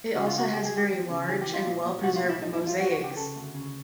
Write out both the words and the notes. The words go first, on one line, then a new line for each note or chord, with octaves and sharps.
It also has very large and well-preserved mosaics.
C#3 F#4
F4
C#2 F#4
C#2 G4
G#4
C#2
G4
E2
C#3
E3 G#4
G4
E3
F4
A#2
A#2
C2 F#4
F4
A#2
E4
F2 D#4
E4
F2
F4
F2 F#4
F#4
C#3
G4
C#3 A4
D2
C#3